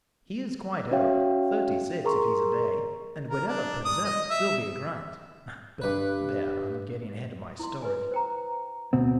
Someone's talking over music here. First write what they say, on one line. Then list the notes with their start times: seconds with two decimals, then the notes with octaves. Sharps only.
He is quite old--thirty-six if he's a day, and whatever possessed Sylvia Grant--but there, I'm getting ahead of my story.
0.91 C#4 F#4 C#5 E5 F5 G5
2.04 G#4 A#4 A#5 C6 C#6
3.29 A#4
3.47 D4
3.85 D#6
4.05 D#5
4.30 E5
5.82 G2 B4
7.59 E4 C6
7.82 B4 G#5
8.11 C5 G5 A#5
8.93 D2 B2 C4